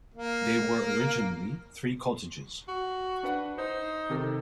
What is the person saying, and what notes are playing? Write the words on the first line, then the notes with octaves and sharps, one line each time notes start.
They were originally three cottages.
A#3
F#4
D4 B4 F#5
D#4 C5
C3 D#3 A4